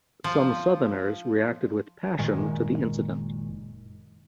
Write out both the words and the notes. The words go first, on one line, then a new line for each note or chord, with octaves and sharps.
Some Southerners reacted with passion to the incident.
F3
F#1 A#2 D#3 G#3